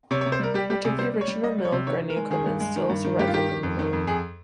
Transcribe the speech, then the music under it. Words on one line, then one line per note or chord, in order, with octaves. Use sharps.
Much of the original mill grinding equipment still survives within the mill.
C3 C#5
C#5
C3
C5
G3 A#4
G3 G4
G3 G4
C3 G#4
G3 C5
G3
C#5
G3
G3 D#5
G3
C#5
C3
D#3 C#5
D#3
A#4
G#3
D#3 G#4
G2
G#3
D#3
G2
D#3
G2 G4
F4
D#3 G4
D#3
F2
D#3
F2
F2 G#4